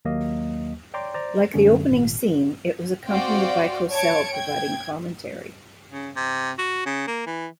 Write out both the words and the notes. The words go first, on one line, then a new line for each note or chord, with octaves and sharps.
Like the opening scene, it was accompanied by Cosell providing commentary.
D#2 F#3 A#3 D#5
C#5 D5 G5 A#5 C6 D6
C5 D5 A#5
F#2 D3 G3 A3 C#4
G#1 A#2
C4 F#4 D5 F5 G5 C6
C#5 A5 G#6 C#7 D7
G5 G#6
C#3
C3
F#4
C#3
A#3
E3